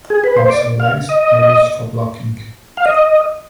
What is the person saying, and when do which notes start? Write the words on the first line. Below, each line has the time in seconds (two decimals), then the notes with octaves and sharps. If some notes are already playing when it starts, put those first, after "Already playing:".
Also legs are used for blocking.
0.10 G#4
0.24 B4
0.37 C5
0.50 D5
0.80 F5
1.09 D#5
2.77 F5
2.86 D#5